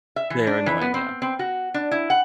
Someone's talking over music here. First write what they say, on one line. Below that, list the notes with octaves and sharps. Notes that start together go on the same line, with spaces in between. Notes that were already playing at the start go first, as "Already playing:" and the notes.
They're annoying, yeah.
E5
E3
D4
E3
B3
C4
C4
F#4
D4
E4
F#5